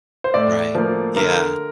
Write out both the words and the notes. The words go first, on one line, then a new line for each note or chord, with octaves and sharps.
Right. Yeah.
C5
A2 D5
F3 A#3
D3 A#4